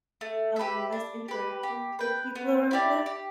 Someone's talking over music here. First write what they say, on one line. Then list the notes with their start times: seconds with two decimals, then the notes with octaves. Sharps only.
um, less interactions with the people around us.
0.21 A3
0.56 G4 B4 E5
0.92 D4
1.28 G4 B4
1.63 G4
1.99 B4 G5
2.35 B3
2.71 E4 G4 D5
3.06 G4